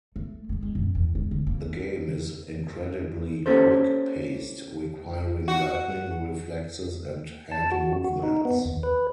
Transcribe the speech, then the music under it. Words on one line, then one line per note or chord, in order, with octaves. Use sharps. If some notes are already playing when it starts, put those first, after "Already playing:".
The game is incredibly quick paced, requiring lightning reflexes and hand movements.
A3
G#3
G#3
F#2
E2
G#3
D2
A#3
A#3 C#4 G4 A4 C5
F#4
A5
F#4
F#4
D#4
B3
D#2
B4